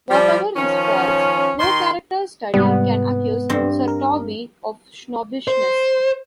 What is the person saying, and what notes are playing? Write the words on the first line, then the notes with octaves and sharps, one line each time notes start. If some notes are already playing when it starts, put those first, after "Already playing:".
Whatever his faults, no character study can accuse Sir Toby of snobbishness.
F3 G3
D#3 F3 C#4
D#3 C6
G#2 C3 G3 B3
G2 C4
A#4
C5